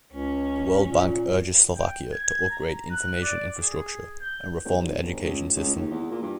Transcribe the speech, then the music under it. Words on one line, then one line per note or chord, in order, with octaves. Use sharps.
The World Bank urges Slovakia to upgrade information infrastructure and reform the education system.
C#2 C#4
A#2
G5
G#6
A#5
F#6
D5
G#4
G6
G1
B1
G1
C#2
C#2
D#2
E2
A#2
G2